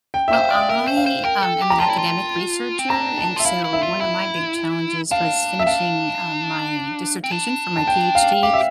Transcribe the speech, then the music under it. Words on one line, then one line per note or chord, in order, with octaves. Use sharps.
Well, I, um, am an academic researcher, and so one of my big challenges was finishing, uh, my dissertation for my PhD.
G5
E5
C5
F5
D5 E5
A#4 E5
C5
F5
C5
A#4 G5
A4
G4
A#5
F4 A5
E4
F4
C4
D4 A#5
A5
F4 E5
E4 F5
E4
E5
F4
E4 E5
D4 F5
E5
D4 F5
C4
D4
A5
G5
F5
G4 F5
E5